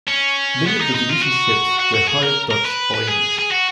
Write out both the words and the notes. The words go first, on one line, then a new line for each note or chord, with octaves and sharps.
Many of the Venetian ships were hired Dutch or English.
C#4
B3
D#4
D#4
F4
F#4
F#4
F#4
G#4
A#4
A#4
B4
B4
G#4
G#4
F#4